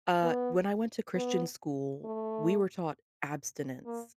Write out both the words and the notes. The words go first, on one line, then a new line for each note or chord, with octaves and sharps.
uh, when I went to Christian school, we were taught abstinence,
B3
B3
A3
A#3